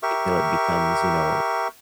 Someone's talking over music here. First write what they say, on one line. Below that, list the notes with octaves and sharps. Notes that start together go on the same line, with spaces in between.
until it becomes, you know,
G4 A#4 E5 C#6